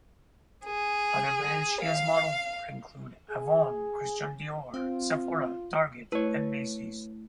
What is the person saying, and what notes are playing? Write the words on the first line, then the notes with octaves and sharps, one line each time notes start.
Other brands she has modelled for include "Avon", "Christian Dior", "Sephora", "Target", and "Macy's".
G#4
F5
G#4
C4 F4
A3 E4 B4 C#5